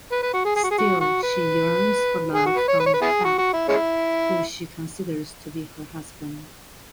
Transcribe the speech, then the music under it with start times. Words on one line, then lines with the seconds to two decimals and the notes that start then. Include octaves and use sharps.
Still she yearns for love from Phak, who she considers to be her husband.
0.12 B4
0.23 B4
0.33 F#4
0.45 G#4
0.56 G#4
0.63 F#4
0.70 G#4
0.78 F#4
1.00 F#4
1.23 B4
2.35 G#4
2.46 F#4
2.57 B4
2.68 C#5
2.80 B4
2.86 C#5
2.93 B4
3.01 B3 E4 G#4
3.24 F#4
3.38 F#4
3.53 E4
3.68 G#3 C#4 E4